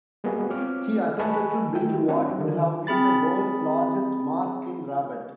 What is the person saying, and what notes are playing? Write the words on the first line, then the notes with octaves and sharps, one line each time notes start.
He attempted to build what would have been the world's largest mosque in Rabat.
G3 G#3 A#3 B3 F#4 G#4
C4 F4 C#5 D6 F6
B4 D#5 G#5 A5 B5 C#6
D#3 E4 G5
C4 D4 F#4 C#5
D3 D#3 F3
C4 G#4 B5 A6